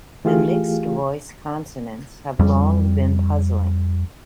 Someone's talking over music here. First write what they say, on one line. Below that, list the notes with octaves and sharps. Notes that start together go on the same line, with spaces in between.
The mixed-voice consonants have long been puzzling.
E3 A3 F4 G4 G#4 F5
F2 G3